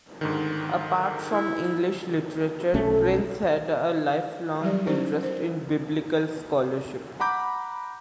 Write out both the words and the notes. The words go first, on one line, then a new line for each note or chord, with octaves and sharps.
Apart from English literature, Price had a lifelong interest in Biblical scholarship.
G#2 D3 D#3
E4
B1 A3 C#4 A4
F#3 G3 G4 D5
C#4 D#4 E4 G4 C5 D5
A#4 C5
F#5 A#5 B5 D6 G6